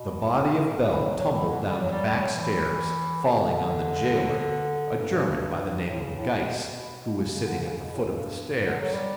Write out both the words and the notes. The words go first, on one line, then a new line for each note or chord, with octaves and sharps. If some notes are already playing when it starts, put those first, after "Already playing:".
The body of Bell tumbled down the back stairs, falling on the jailer, a German by the name of Geiss, who was sitting at the foot of the stairs.
Already playing: B2
C#3
D3
E3
F#3
F#3
E3
D3
G3
F#3
G3
G3
F#3
E3
D3
G2
A2
C#3
A2
B2
B2
B2
C#3
C#3
D3
C#3
C#3
B2
A2
G2
A2
D3
F#3
G3